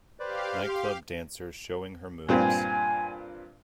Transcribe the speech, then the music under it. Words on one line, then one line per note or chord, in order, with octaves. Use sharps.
Nightclub dancer showing her moves.
G4 B4 C5 D5 F5
C6
G2 A#2 C4 G#5